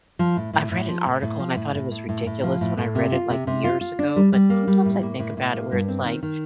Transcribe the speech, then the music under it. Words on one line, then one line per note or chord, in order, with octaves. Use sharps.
I've read an article and I thought it was ridiculous when I read it, like, years ago, but sometimes I think about it where it's like,
F3
A2
A2
A2
F3
A2
A2
F3
A2
A2
A2
A2
A2
F3
A2
A2
C3
F4
C3
C3
F4
F4
D4
G3
G3
A#3
G3
A2
A#3
A2
A2
A#3
G2
C4
D#3
D#3